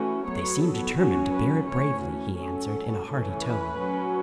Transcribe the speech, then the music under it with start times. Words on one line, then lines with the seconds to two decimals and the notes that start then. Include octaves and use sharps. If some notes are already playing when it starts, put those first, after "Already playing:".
"But they seem determined to bear it bravely," he answered, in a hearty tone.
Already playing: E3 A3 C#4 F#4
0.26 F#3 B3 C#5
0.62 A4
0.97 F#3 C#4 F#4
1.32 B4
1.67 E3 A3 C#4 C#5
2.02 F#4
2.37 F#3 C#4 A4
3.08 E3 A3 C#4
3.43 B4
3.78 F#3 C#4